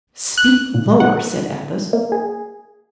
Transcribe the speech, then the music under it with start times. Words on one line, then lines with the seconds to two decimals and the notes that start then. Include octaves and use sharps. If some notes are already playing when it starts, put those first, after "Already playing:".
"Speak lower!" said Athos.
0.38 F#6
0.74 A#2
1.00 F#5
1.93 A#3
2.12 G#4